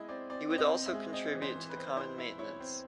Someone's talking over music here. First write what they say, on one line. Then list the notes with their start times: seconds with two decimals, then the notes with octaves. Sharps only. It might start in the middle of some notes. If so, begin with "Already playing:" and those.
He would also contribute to the common maintenance.
Already playing: G#3 E4 D#5
0.09 C4 D5
0.30 C4 D5
0.50 C4
0.58 D#5
0.72 C4
0.86 E5
0.93 G#3
1.13 C4 D#5
1.34 E3
1.42 C5
1.55 E3
1.69 B4
1.77 C4
1.97 E4 C5
2.18 E4
2.39 E4 C#5
2.60 C4